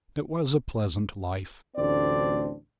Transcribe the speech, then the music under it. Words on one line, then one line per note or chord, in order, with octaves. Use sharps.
It was a pleasant life.
A1 D2 C4 D4 D5